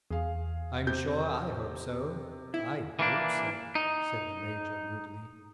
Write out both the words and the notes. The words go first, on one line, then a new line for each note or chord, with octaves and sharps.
"I'm sure I hope so; I hope so," said the Major moodily.
E2 G#4 F5
C3 G6
E4
E3 A#3 D4
D#4